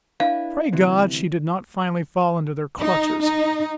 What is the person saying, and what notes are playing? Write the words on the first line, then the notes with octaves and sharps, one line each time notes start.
Pray God she did not finally fall into their clutches!
D4 E4 B4 F5
D2 C3 E3
D#4
D#4